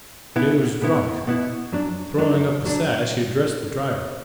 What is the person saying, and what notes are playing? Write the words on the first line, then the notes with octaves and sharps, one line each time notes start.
Jehu's drunk.' Throwing up the sash he addressed the driver.
B2 B3 E4
B2 B3 E4
B2 B3 E4
F#2 F#3 D4
F#2 F#3 D4
F#2 F#3 D4